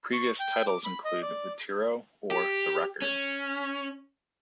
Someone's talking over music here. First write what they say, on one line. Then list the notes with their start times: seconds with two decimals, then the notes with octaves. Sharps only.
Previous titles include The Tyro or The Record.
0.13 C#6
0.39 G5
0.67 D6
0.85 B5
1.05 D#5
1.22 D5
2.31 G4
3.02 C#4